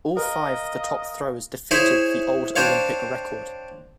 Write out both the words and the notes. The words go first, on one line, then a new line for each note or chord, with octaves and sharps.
All five of the top throwers defeated the old Olympic record.
A#4 D#5 F5
E4 G#4 C5 C#5 E5 G#5
C4 D4 C5 C#5 F5